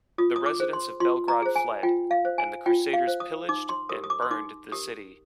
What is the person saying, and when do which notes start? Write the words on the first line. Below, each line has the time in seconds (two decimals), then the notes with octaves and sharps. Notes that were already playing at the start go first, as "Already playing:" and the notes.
The residents of Belgrade fled, and the crusaders pillaged and burned the city.
0.18 F4 D#6
0.36 D#6
0.46 D6
0.60 G#4 C5
0.73 C6
1.00 F4 C6
1.28 A#5
1.42 G#4 C5
1.56 G#5
1.83 F4 G5
2.11 F5
2.25 C5
2.38 G#5
2.66 F4 G5
2.93 F5
3.07 C5
3.20 D#6
3.49 D#4 D6
3.69 C6
3.89 G4 A#4 D#6
4.04 D#6
4.10 D6
4.22 C6
4.31 D#4 D6
4.72 G4 A#4 D#6